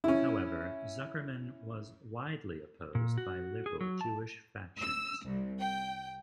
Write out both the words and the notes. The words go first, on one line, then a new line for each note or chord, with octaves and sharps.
However, Zuckerman was widely opposed by liberal Jewish factions.
C#4 E4
A#2
F#4
G#4
F#3
A5
E6
C2
G5